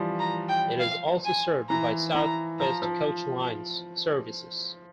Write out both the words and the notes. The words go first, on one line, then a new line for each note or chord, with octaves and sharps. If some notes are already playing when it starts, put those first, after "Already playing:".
It is also served by South West Coach Lines services.
Already playing: E3 F3 G3
A#5
G5
F5
G#5
E3 A#5
E3 A#5
F3 A#5
F3